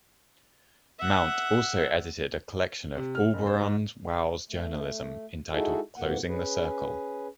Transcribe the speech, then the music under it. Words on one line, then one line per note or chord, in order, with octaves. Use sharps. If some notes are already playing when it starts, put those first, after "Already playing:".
Mount also edited a collection of Auberon Waugh's journalism entitled "Closing the Circle".
E5 F#5
C3
F6
F#1
C5
G#2
A3
G#3 D#4 E4 F#4 G#4 A4
F2 G#2 B2 A#3 F#5
C#4 G#4 B4